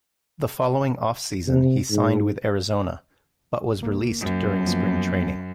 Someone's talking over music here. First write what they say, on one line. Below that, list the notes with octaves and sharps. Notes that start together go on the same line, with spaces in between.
The following off-season, he signed with Arizona, but was released during spring training.
C3
G#2
C#2 A#3
F#2
F3 A#3 B3